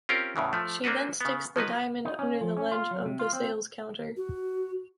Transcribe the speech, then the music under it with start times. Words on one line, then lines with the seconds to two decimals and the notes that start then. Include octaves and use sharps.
She then sticks the diamond under the ledge of the sales counter.
0.09 C4 C#4 F4 G4 A#4
0.36 E2 A2 C#3 E3
0.53 F3 A3
0.84 A#3 C4 D4 F#4 B4
1.21 C#3 B3
1.56 F3 F#3 D#4 B4
2.05 D#4
2.19 C#4
2.41 F3
2.57 C#4
2.72 F4
2.91 F#3
3.05 C3
3.19 F4
3.33 C4
4.17 F#4